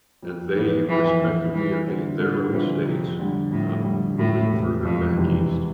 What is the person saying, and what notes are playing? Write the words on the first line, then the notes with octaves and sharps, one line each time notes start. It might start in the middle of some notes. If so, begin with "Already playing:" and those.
and they respectively are getting their own states, um, moving further back East.
F2
E3 B3
F2 E3
E3 B3
G2 E3
D3 F3 C4
G2 D3
D3 E3 F3 C4
F2 C3
D3 G3
F2 A2
D3 G3
E1 A2
E2 C3 E3
E1 F2
E2 C3 E3